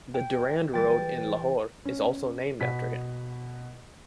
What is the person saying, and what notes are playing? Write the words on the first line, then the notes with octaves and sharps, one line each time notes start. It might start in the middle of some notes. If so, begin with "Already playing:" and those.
The Durand Road in Lahore is also named after him.
G5
E3 G3 G5 A6
C#4
B2 B6